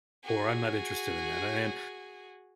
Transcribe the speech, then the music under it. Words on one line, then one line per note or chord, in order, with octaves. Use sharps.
or I'm not interested in that, a and
F#4 G#4